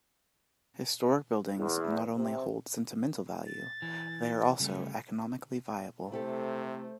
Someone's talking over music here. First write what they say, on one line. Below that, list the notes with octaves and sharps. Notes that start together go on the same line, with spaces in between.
Historic buildings not only hold sentimental value, they are also economically viable.
E2
C3
A6
E3
C#3 G3 A3
C3 A3 E4 G4 A4 C5